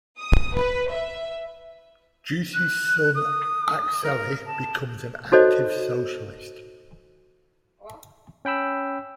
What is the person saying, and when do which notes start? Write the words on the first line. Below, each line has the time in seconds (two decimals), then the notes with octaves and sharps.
Jussi's son Akseli becomes an active socialist.
0.19 D#6
0.56 B4
0.92 E5
2.54 F#6
3.15 D#6
4.04 A#4
4.46 A5
5.32 D#4 F#4 A4 C5 C#5 D#5
8.45 C#4 G5 B5 E6